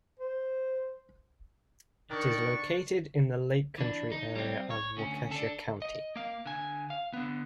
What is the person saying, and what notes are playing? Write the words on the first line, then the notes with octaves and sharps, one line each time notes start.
It is located in the "Lake Country" area of Waukesha County.
C5
D#3 D4 C#6
E3 D4
D#4
G3 C4
C#5
D2 C#4
D4 A4
D#5
A#3 F5
D3 G#5
F5
D3 B3